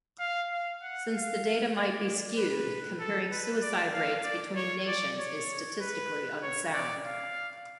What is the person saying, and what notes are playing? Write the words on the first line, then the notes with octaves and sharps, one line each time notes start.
Since the data might be skewed, comparing suicide rates between nations is statistically unsound.
F5
F5
F#5
F5
D5
B4
A4
B4
D5
F5
D5
C#5
D5
C#5
B4
C#5
D5
F5